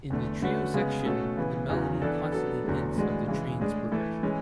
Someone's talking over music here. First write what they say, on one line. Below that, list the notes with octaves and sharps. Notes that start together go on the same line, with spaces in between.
In the trio section the melody constantly hints of the train's progression.
E2 D3 A3
D3 A3 C#4 F#4 B4
C#3 G#3 B3
B2 A3 C#4 F#4 A4
C#3 E3 B3
E2 C#3 F#3
E3 B3 D4 A4
F#3 B3 D4 A4
E2 D3 F#3 A3
A2 E3 G#3 D4 F#4
C#3 E3 G#3
A2 G#3 D4 G#4
E3 A3 E4 A4
E3 G#3 C#4